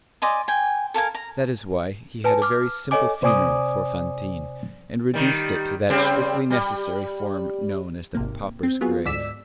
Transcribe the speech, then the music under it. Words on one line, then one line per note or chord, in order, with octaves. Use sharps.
That is why he had a very simple funeral for Fantine, and reduced it to that strictly necessary form known as the pauper's grave.
D5 D#5 G#5 C6
G5 G#5
A4 A#4 F5 G#5
A#5
B4 G#5 A5
D6 F6
A4 C#5 D#5 G#5 D6
C3 C5 D5 G#5 D6 D#6
D#3 G3
C#3 G3 C4
G3
G#1 C3 A#3
C4
F#3 B3 F4 G#4
D2 G#2 D5 E6 B6 E7